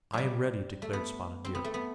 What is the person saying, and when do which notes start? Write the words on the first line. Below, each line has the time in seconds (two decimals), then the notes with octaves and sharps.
"I am ready," declared Spotted Deer.
0.13 F#3 G3
0.82 A3
0.93 B3
1.45 C4
1.55 B3
1.64 A3
1.74 B3